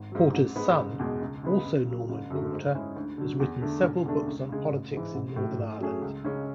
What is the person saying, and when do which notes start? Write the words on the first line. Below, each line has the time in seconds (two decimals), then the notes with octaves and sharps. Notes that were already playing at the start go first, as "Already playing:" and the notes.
Porter's son, also Norman Porter, has written several books on politics in Northern Ireland.
Already playing: G#1
0.12 G#2 F#3
0.34 A1
0.56 G#2 G#3 B3
0.78 F#1
0.99 E2 B2 G#3
1.21 C#2
1.43 C#3 G#3 B3
1.65 C#2
1.87 C#3 F#3
2.09 F#1
2.30 F#2 D3 F#3 A3
2.53 G#2
2.74 G#3 C#4 E4 G#4
2.96 D2
3.18 D3 F#3
3.40 E2
3.61 D3 A3 D4
3.83 E1
4.05 E2 D3 A3 D4
4.27 C#2
4.49 C#3 G#3
4.71 A1
4.93 G#2 E3
5.15 A1
5.36 A2 F#3
5.58 A2
5.80 F#3 A3 C#4 G#4
6.02 C#2
6.24 C#3 G#3 C#4